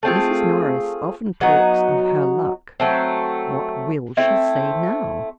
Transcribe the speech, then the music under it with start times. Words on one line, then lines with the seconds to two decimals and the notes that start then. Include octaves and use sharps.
Mrs. Norris often talks of her luck; what will she say now?
0.03 A3 C4 F4 G#4
1.41 F#3 B3 D#4 F#4
2.80 F#3 A3 C4
4.17 A3 C4 E4